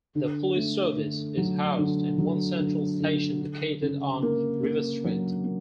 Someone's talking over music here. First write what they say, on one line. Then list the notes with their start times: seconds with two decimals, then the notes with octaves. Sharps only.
The police service is housed in one central station located on River Street.
0.15 D3
0.56 A3
0.96 D3
1.37 F#3
1.78 D3
2.18 F#3
2.59 D3
3.00 D3
3.41 D4
3.82 C#3
4.22 A#3
4.63 A#3
5.04 F#3
5.44 A#3